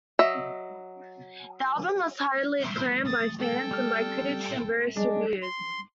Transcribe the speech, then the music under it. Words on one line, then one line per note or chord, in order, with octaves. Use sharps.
The album was highly acclaimed by fans and by critics in various reviews.
F#3 D#5 E5
D#6 A6
A4 G5
G3 F6
G#3 D4
C6